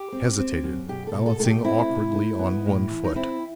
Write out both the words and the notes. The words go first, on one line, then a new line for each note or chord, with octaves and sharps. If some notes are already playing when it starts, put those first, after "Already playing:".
He hesitated, balancing awkwardly on one foot.
Already playing: G4
C4
C4
F#2
B2 G4
A4
B2
A4
A3 A4
G4
C4 E4
C3
A3
B3
A2
E3
D#4
C4 E4